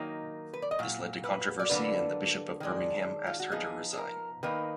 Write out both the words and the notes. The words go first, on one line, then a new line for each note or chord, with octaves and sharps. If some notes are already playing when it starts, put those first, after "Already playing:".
This led to controversy and the Bishop of Birmingham asked her to resign.
Already playing: D#3 F#3 A#3 D#4
B4
D5
D#5
A#2 F#3
B4
D5
D3 F#3 A#3 D4 B4
D#3 G#3 D4
F4
F#4
F3 B3 D#4 G#4
G#4
A#4
D#3 A#3 D#4 B4